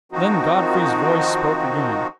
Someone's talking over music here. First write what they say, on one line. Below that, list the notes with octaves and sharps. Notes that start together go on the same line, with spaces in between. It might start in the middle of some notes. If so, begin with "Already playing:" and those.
Then Godfrey's voice spoke again.
D#3 F3 C4 D#4 F#4